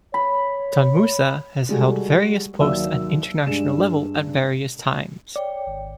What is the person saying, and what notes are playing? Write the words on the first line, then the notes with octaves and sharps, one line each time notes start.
Tun Musa has held various posts at the international level at various times.
C#5 B5
G3 G#3 F#4 A4
D#2 F#3 D5 E5 E6
G2 G#3 E7
C#5 D5 G5
G#1